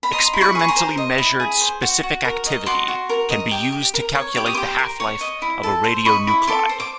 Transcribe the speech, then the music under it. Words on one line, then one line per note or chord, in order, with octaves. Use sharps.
Experimentally-measured specific activity can be used to calculate the half-life of a radionuclide.
B5
D#5 A#5 C6
E4
B5 C#6
G#4 C#6
A#5 C6
C5
D#5
E4
G#4
C5
F#4
F#4
A#4
D#5
F#4 C6 D6
F#4
A#4
D#5
G4
G4
A#4
C#5
G4 D6
D#6
G4 C6 D6
A#4
C#5
D#5
E4
A4
C5
D#5 B5 C#6
E4
A4 C6 D6
C5
D6